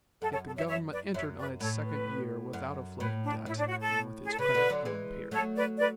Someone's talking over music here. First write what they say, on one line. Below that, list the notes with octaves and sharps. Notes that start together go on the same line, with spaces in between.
Yet the Government entered on its second year without a floating debt and with its credit unimpaired.
F#2 A4
A4 C#5
A4
C#5 E5
C#5 E5
B4 D5
F#2 C#5 E5
B4 D5
A2 A4 C#5
B4
F#2
A2 B4
D4
A2 E4
D4
F#4
A4
G#4
A4
C#3 B4
B2 D3
D3 F#3
E3 G#3
F#3 A3 A4 C#5
B4 D5
B4 D5